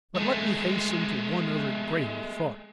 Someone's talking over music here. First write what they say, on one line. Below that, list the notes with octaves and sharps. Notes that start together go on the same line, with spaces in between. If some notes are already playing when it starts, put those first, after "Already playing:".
But let me hasten to one other greater thought.
G#3 A3